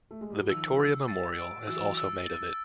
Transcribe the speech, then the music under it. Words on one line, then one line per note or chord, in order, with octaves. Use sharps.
The Victoria Memorial is also made of it.
A3
G#3
G3
F#3
D#3 F3 E6
E6
A6
D7
E3 F#3 E6
E6
A6